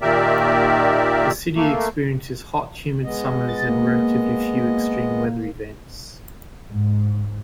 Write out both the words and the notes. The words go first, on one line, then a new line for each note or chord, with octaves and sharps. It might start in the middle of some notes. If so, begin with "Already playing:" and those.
The city experiences hot, humid summers and relatively few extreme weather events.
A#2 D#3 G4 A#4 D5 E5
A3 A#3
G#3 B3 D#5
A6
A#3
G#2